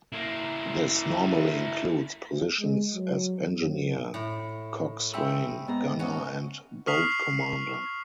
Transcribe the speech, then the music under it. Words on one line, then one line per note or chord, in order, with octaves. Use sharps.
This normally includes positions as engineer, coxswain, gunner, and boat commander.
A#3 E4
G#3
F#3
F#2
A2
G#3 A3 C4 B5 E6
G#2 B3 A#5
C#4 F#4
C#6 D#6 F6 B6 C7 F7